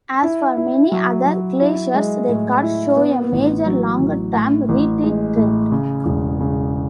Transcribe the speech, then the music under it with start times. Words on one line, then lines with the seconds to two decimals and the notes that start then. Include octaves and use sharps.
As for many other glaciers, records show a major longer-term retreat trend.
0.23 E4
0.57 E4
0.92 F#3
1.26 F#3
1.61 E4
1.94 G#3
2.28 A2
2.62 E4
2.97 B3
3.32 A1
3.66 F#3
3.99 A1
4.34 A2
4.69 A1
5.04 G#3
5.37 A2
5.72 C#3
6.06 E1
6.40 C#3